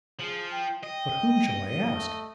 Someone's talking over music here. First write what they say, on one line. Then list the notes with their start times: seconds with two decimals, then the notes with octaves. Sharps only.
But whom shall I ask?
0.20 F3 G#4
0.51 G5
0.84 D#5 G5
1.93 A3